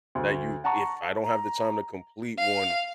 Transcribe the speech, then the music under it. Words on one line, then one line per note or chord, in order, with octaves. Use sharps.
that you "If I don't have the time to complete one,"
D2
F#5 A5 A#5 C#6
A#5
F5